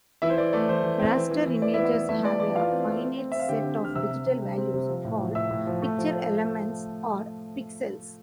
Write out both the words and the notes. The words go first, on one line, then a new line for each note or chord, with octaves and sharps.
Raster images have a finite set of digital values, called "picture elements" or pixels.
E3 E4 E5
C5
E3 D5
A3 D5
E3 C5
E3
C4
E3
E3
E3
E3 D5
E4 E5
B3
E4 E5
B3
A3 E4 E5
A3 D5
E3 D5
E3 F4 F5
C4
A3
C4
C4
C4 E5
F5
D3 G4 G5
C4
D3
F6
C3 E5 E6
C3
C3
G3
C4
C3
F3
A2
F3
A2 E5 E6
A2
F3
A3
F3